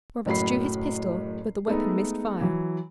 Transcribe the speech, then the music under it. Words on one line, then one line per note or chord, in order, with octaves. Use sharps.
Roberts drew his pistol but the weapon missed fire.
F#1 A2 F#3 B5 C7
G#3 A3 B3 D#4 A4
E3 F#3